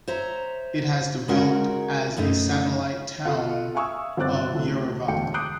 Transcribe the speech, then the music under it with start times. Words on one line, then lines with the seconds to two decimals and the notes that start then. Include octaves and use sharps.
It has developed as a satellite town of Yerevan.
0.08 C5 C#5 E5 A#5
1.28 G#3 C#4 D#4 F#4 A#4 F#5
2.17 F#2 B2 A3 D#4
3.25 F4 A4 F5 F#5
3.75 E5 F5 G#5 C#6 D#6 E6
4.17 G1 C4 C5 D6 F#6 A6
4.53 D2 A2 F#3 A3
5.08 E1 D2 F#4 G5 C#7
5.34 D6 D#6 F#6 G6 C7 D7